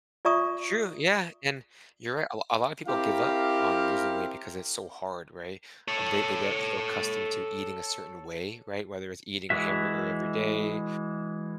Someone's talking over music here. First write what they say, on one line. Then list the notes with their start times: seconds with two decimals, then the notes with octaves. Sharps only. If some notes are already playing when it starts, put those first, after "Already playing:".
True, yeah, and you're right, a a lotta people give up on losing weight because it's so hard, right? Um, they they get so accustomed to eating a certain way, right? Whether it's eating a hamburger every day,
0.25 F4 D5 E5 A#5 C#6 D#6
2.87 C4 E4 G4 A#4 F5
5.88 A4 C#5
9.50 E3 G#3 F#4 E5